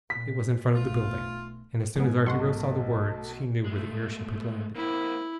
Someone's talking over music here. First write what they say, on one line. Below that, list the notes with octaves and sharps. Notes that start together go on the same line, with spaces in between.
It was in front of the building, and as soon as our hero saw the words he knew where the airship had landed.
A#2 B6
B1 A3 F4
G#2 F3 B3 D#4 G#5
B1 A3 A4 F#5 C6 C#6
G#3 A3
A#3 C4 E4